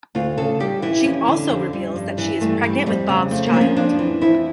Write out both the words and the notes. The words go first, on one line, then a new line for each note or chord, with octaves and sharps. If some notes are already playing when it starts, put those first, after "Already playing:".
She also reveals that she is pregnant with Bob's child.
D2 F4
C#3 A4
G3 G4
E3 E4
F2 C#4
D3
F2
G3
G2
E3
G2 A3
G3
F2 G3
C#3
F2 A3
A#3
F3 D4
C#4
F2 D4
E3
F2 E4